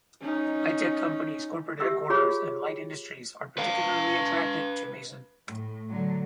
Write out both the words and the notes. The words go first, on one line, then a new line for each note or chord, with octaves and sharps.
High-tech companies, corporate headquarters, and light industries are particularly attracted to Mason.
C#4 D#4
G4 E5 E6
F4 G4 G#4 C#5 F5 B5
B4 F5
A2
D3 F#3